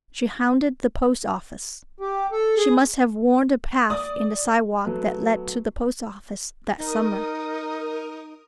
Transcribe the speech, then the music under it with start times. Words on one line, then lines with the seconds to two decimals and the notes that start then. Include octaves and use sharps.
She haunted the post-office. She must have worn a path in the sidewalk that led to the post-office, that summer.
2.00 G4
2.32 A4
2.57 G#4
3.90 D5 D#6
4.85 F#3 A3 B3
6.78 D#4 A#4 D#6